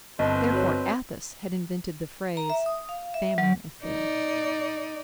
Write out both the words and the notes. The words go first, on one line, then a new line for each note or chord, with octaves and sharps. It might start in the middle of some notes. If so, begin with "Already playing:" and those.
Therefore Athos had invented the phrase, family affair.
G1 C4 B4 D#5 A5 B5
F#4 C5 C#5
A#5
E5
D#6
F5
E5
F#3
D#4 D5